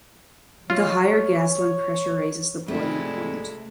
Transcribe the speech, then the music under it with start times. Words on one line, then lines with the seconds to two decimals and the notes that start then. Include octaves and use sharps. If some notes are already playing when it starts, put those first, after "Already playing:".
The higher gasoline pressure raises the boiling point.
0.70 F4 C#5
2.68 G#2 C3 F3 G#3 A3 E4 D5